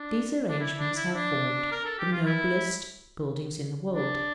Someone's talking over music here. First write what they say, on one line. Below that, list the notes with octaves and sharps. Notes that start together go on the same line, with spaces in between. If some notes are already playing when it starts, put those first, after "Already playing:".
These arrangements have formed the noblest buildings in the world.
Already playing: D4
D4
E4
D4
E4
D4
A#4
A4
G4
F4
E4
D4